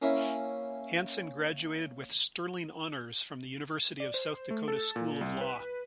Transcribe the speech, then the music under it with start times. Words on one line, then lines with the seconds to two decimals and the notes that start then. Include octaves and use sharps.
Hansen graduated with "Sterling Honors" from the University of South Dakota School of Law.
0.02 A#3 C#4 E4
4.00 D5
4.14 C5
4.50 A3
4.68 A4
4.96 A#2
5.21 C2
5.41 B4